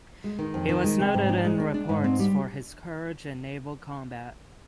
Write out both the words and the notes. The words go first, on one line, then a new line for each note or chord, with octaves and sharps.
He was noted in reports for his courage in naval combat.
G#3
D#3
F2
D#3
G#3
C3
G#2
D4
G#3
D4
D4
G#2
C4
G3